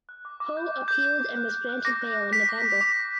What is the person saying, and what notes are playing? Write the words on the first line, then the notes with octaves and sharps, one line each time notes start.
Ho appealed and was granted bail in November.
F#6
D6
D6
G6
G6
D6 G6
G6
D6
F#6
F#6
F#6
D6 A#6
F#6
D6
D6 B6
D6
D6
D6
D6